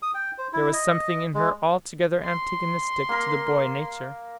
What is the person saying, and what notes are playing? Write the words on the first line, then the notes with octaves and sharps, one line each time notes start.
There was something in her altogether antagonistic to the boy-nature.
D#6
G5
C5
E4
D#5
G#3
C6
A#3 A#4